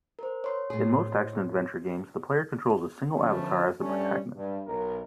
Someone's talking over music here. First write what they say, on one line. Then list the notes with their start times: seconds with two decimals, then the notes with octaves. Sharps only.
In most action-adventure games, the player controls a single avatar as the protagonist.
0.19 A#4 C5
0.44 C#5 C6
0.70 A2 G#4
3.15 D3 F3 A3 B3 C#4
3.81 G2 G3 A3 C#4
4.35 G2
4.66 B1 A#4